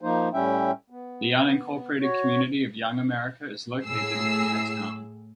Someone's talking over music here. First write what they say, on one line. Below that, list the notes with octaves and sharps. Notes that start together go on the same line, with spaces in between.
The unincorporated community of Young America is located in the town.
F3 A#3 D#4 C5
A2 G3 C#4 E4 E5 G5
B3
F#4 C#5
A2 G#4 E6 C7